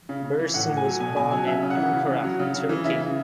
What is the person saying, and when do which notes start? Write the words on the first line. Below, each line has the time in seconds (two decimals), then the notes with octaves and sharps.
Birsen was born in Ankara, Turkey.
0.09 C#3
0.24 C#3
0.39 E3
0.54 A2 F#5
0.69 A2
0.77 G#5
0.85 F#3
1.00 B2 G#5
1.16 B2 G#5
1.31 F#3 G#5
1.46 C#3 E5
1.62 C#3
1.70 F#5
1.77 E3
1.93 C#3
2.08 C#3
2.24 F#3
2.39 C#3
2.54 C#3
2.69 E3
2.84 C#3 E5
3.00 C#3